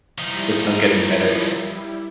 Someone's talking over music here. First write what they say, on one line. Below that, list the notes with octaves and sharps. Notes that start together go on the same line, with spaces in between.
there's no getting better."
F3 G3 D#4 E4